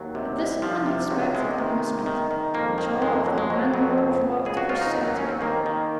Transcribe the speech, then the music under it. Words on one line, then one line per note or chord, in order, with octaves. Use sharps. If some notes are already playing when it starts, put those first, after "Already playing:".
At this unexpected announcement the jaw of the landlord dropped perceptibly.
Already playing: D#2 F#3
C3
C2
C3 F3
C3
C#2 F#3
C3 G#3
D#3
C3
D#3
D#3
F2 A#3
D#3 A#3
F2 G#3
F2 F#3
G#3
F2 F#3
F2 F#3
C#2
C#2
C#2 G#4
F#4
C#2 F4
D#4
D#2 F#3
F#3
D#2 C#4
C4
D#3 A#3
D#3